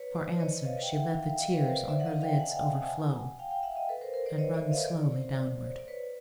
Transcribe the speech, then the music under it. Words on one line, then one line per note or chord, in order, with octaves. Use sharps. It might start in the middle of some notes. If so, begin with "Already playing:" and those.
For answer, she let the tears on her lids overflow and run slowly downward.
Already playing: B4 C#5
C5 D5
C#5 D#5
D#5 F5
G5
E5 F#5
F5 G5
D#5 F5
B4 C#5
A#4 C5
C5 D5
D5 E5
F#5
D#5 F5
F5 G5
F#5 G#5
F5 G5
F#5 G#5
F5 G5
F5 G5
E5 F#5
D#5 F5
A4 B4
A#4 C5
A#4 C5
C5 D5
C#5 D#5
D5 E5
D#5 F5
D5
C#5
C5 D5
D5
B4 C#5